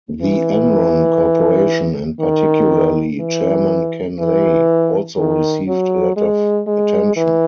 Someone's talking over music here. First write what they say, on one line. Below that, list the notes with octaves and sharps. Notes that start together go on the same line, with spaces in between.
The Enron Corporation, and particularly Chairman Ken Lay, also received a lot of attention.
E3
D#3
E3
E3
D#3
F#3
G#3
G#3
E3